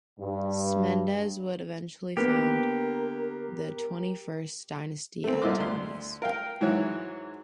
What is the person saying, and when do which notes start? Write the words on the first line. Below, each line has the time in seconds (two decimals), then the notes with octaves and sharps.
Smendes would eventually found the Twenty-first Dynasty at Tanis.
0.19 G2
2.17 D3 A#3 B3 G4 A#4
5.24 A3 C4
5.42 C2 A#2 E4 D#5 C6 D6
5.60 D2 C6
6.22 A#4 F5 G5
6.61 G#2 E3 F#3 F#4 C#5 E5